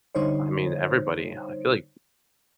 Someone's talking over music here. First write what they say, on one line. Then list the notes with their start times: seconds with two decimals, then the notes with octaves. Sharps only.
I mean, everybody. I feel like
0.15 D3 G3 D#4 C5 C#5